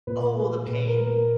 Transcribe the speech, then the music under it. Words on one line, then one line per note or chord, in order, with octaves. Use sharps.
Oh, The Pain?
A#2 B4
A#2 B4
A#4
A#4